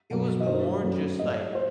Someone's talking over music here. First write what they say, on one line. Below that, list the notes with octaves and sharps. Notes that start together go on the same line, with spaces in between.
it was more just, like,
B2 F#3 A3
D#5
G2 F#3 A3 C5
F#2 F#3 A3
A2 G3 D#5
C5